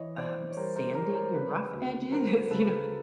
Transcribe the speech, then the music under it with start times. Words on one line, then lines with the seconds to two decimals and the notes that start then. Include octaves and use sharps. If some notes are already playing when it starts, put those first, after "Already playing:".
um, sanding your rough edges, you know,
Already playing: E3 C#5 D#5
0.18 E3 C5 D5
0.51 C#5
0.57 G3 A#4 C5
0.76 A#4 C5
0.95 G3 A#4 C5
1.09 C#5
1.15 A#4 C5
1.34 C#3 B4 C#5
1.74 D2
2.12 F#3 A#4 C5
2.51 C#3 A4 B4